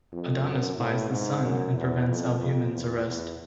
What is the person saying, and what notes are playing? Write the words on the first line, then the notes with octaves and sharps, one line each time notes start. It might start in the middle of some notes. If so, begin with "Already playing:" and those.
Adonis buys The Sun and prevents Albumen's arrest.
F2
F#2
A2
G#2
F#2
E2
F2
F2
E2
E2